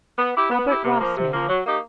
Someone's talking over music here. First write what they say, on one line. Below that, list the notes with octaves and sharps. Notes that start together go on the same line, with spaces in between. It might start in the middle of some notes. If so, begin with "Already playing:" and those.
"Robert Ross, ma'am."
B3
E4 G4
B3
E4 G4
C3
F3 A#3
C3
F3 A#3
F#3
A#3 D#4 G4